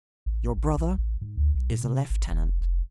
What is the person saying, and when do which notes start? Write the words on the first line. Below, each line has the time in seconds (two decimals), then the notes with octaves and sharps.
Your brother is a lieutenant.
0.26 A1
0.57 A1
0.77 A#1
0.98 A1
1.21 G#2
1.37 D2
1.55 B1
1.71 A#2
1.84 C3
2.10 G#1
2.31 F1
2.61 F1